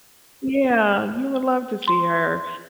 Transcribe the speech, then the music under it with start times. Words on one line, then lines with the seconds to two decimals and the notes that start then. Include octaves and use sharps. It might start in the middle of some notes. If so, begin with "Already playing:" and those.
Yeah, you would love to see her,
1.87 C6